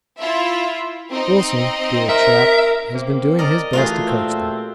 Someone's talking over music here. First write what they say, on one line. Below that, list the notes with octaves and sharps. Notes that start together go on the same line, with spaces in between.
Wilson, dear chap, has been doing his best to coach them.
E4 F4 E5
C4 D#4 D#5
A#4 E5
A#3 C4
A#4 D5 D#5
E3 A3 F4 F#4 G#4
A#2 C4